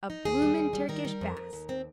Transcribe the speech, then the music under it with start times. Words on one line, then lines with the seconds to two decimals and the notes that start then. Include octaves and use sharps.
A bloomin' Turkish baths!
0.10 D#4
0.25 D#2 G#4
0.42 G3
0.58 D#2
0.73 G3
0.89 D#3 A#4
1.05 G3
1.21 F2
1.37 F2
1.53 D#2
1.69 C4